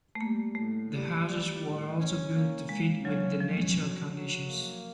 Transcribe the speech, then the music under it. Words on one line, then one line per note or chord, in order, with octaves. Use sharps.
The houses were also built to fit with the natural conditions.
A3
G3 A#3
A2 A3
G3
G3
A2
C#4
A#3
G#3 A#3
F#3 C#4
F3 C#4
F#3
F#3
A#3